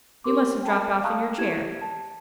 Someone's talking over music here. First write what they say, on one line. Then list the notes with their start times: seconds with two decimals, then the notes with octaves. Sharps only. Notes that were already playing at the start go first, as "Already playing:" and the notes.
You must have dropped off in your chair.'
0.24 G4 A#4 C6 D6
0.64 G5 A5 B5
1.03 F5 A5 A#5 C#6 D#6 F#6
1.38 E4 G4 G#6 E7
1.81 A5